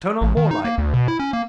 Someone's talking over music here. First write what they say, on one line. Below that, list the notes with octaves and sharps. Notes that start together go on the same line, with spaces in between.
Turn on more light.
A1
D#3
D#4
A#3
D2
B2
E4
C#4
A#3